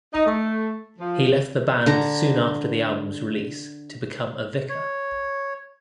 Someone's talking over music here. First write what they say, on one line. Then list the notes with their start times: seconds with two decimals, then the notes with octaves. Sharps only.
He left the band soon after the album's release to become a vicar.
0.13 D#4
0.26 A3
0.99 F3
1.86 D3 A#5
4.69 C#5